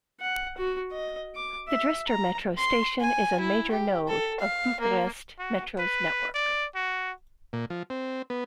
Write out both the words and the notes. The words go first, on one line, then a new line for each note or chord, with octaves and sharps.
The Dristor metro station is a major node of Bucharest Metro's network.
F#5
F#4
D#5
D6
E5
A#5
C6
G#5
E4
G4
A4
F5
A#3
F#4
B4
D5
F#4
A#2
F3
C4
B3